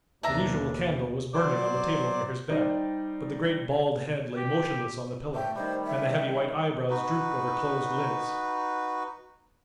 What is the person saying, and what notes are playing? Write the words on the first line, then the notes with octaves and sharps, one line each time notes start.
The usual candle was burning on the table near his bed, but the great bald head lay motionless on the pillow, and the heavy white eyebrows drooped over closed lids.
D#2 B2 D4 E5 A#5
F#3 C5 D5 D6
G3 D#4 G4 C5 D5
G4
A3 G5
D#3 G3 C5
E5
D#4 F#4 B4